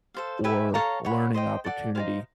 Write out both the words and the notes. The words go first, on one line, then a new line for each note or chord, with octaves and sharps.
or learning opportunity
A4 C5 F5
G4 B4 E5 G#5
A4 C#5 F5 A#5
C#5 F#5 B5
C5 D#5 G5
A4 D5 F#5
D#4 G#4 C5 F5